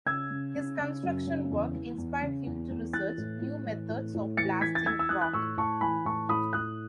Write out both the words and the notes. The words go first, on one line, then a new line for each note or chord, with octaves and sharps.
His construction work inspired him to research new methods of blasting rock.
C#3 E6 G#6
C#3
C#3
C#3
F#2
C#3
E2
E3
E2
C#3
E2
E2
E3 F#6 A6
A2
A2
E3
A2
A2
E3 A6 C#7
E3 G#6 B6
A6
E3 E6 G#6
E6
E3 D#6 F#6
F#6
A2 C#6 E6
A2 A5 C#6
E3 G#5 B5
A2 A5 C#6
A2 B5 D#6
A2 D#6 F#6